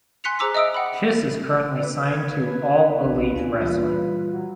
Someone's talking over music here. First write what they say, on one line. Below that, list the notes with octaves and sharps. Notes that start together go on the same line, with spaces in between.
Kiss is currently signed to All Elite Wrestling.
G#5 C6 F#6 B6 C#7 F7
G#4 C5 A#5 D6 E6 B6
D#5 E5 D#6 E6 D7
F#5 G5 B5
B4
G#6
A#1 C3 D#3 D4
D2 D4 F4 G#5
A#2 E3 G3
F#3